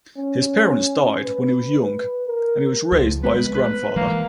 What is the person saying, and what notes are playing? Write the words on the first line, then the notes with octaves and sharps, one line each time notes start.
His parents died when he was young and he was raised by his grandfather.
C#4
B4
A#4
C#2 F3
G#3 B3 B4
B4
E3 G#3 A#3